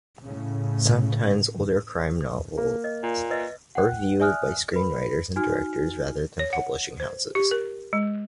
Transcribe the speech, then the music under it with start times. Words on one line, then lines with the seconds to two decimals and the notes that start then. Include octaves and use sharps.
Sometimes older crime novels are revived by screenwriters and directors rather than publishing houses.
0.22 A2 C#3
2.58 A#3
2.84 D#5
3.03 A#2
3.31 B4 D#5 E5
3.75 F#5 G5 F#6
4.20 D5 E5 G#5 D#6 F6 F#6
4.73 B4 B5
5.36 D#4 F#4 G#5 F6
6.39 C#5
6.53 F#5
7.00 C5
7.35 G4
7.51 A#4
7.93 G#3